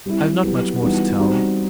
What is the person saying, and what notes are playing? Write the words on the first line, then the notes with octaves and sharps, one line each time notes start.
I have not much more to tell.
G3 C4 E4
F#3 B3 E4 G4
E3 G3 B3 D#4 F#4
G3 C4 D#4 F#4